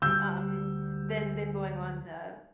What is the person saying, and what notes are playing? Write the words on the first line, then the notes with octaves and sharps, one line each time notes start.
um, than than going on the
D2 G3 E6 G6